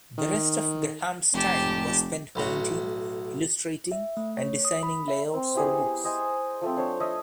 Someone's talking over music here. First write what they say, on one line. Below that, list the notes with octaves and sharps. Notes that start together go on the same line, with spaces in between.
The rest of Graham's time was spent painting, illustrating and designing layouts for books.
D#3
F1 G4 A5
B1 A2 F#4
E5
A3
C#5
D#6
B5
E5
C4
B3 E4 G4 G#4
C5 D#5 G#5
F3 A3 C4
D4 C5 C#5
A4 C#5 D#5 E5